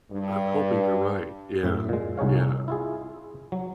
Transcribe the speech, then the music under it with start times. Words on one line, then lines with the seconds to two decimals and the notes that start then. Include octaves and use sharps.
I'm hoping you're right, yeah. Yeah,
0.12 G2
1.64 F#2 A2 E5
1.89 A#2 G#3
2.17 C2 D#4 G#4 C#5 F5
2.68 E4 F4 G#4
3.52 F#3